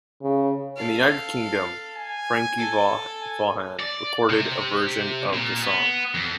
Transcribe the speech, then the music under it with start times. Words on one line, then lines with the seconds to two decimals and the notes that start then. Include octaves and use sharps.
In the United Kingdom, Frankie Vaughan recorded a version of the song.
0.22 C#3
0.77 A4 F5
1.97 G#5
2.58 A4
3.21 G#5
3.80 D5
4.30 C3
5.33 A#2
5.62 B3
6.15 F2